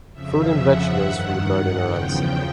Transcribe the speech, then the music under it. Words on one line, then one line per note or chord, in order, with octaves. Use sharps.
Fruit and vegetables from the garden are on sale.
F2 C#3 F3 E5
F#5
G2 D#3
F#5
E2 C#3 F3 G5